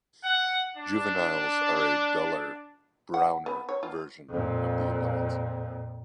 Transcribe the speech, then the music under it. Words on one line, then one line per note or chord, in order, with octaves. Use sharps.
Juveniles are a duller, browner version of the adult.
F#5
D4
F#5
B3
C#5
F4
F2 A#2